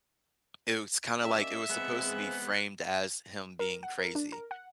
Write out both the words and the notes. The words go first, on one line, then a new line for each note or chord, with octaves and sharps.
it was kinda, like it was supposed to be framed as him being crazy.
D#2 C#4 D5 E5
G#3 B3 C4 G#4 F#6
A#4
F#5
A#4
D4
A#4
F#5